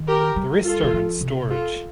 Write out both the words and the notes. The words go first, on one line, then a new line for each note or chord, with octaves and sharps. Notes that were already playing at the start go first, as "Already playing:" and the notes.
The rest are in storage.
Already playing: D#3
G4 A#4
G3
F4 A4
D#3
F3
C3
F4 A4